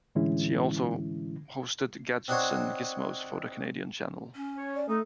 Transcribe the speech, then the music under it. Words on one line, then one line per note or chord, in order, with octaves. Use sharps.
She also hosted "Gadgets and Gizmos" for the Canadian channel.
A2 D3 E3 G#3 C#4 E4
C4 D4 D#4 F#4 C5 C#5
C#4
C#5
D5
A3 D#4 A4